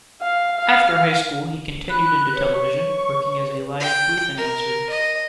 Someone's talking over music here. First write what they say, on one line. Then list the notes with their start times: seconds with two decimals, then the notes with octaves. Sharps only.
After high school he continued into television, working as a live booth announcer.
0.21 F5
0.57 F5
1.89 B5 F#6
2.33 B4 C#5
2.53 C#6
3.80 G5
4.37 A#4
4.90 D#5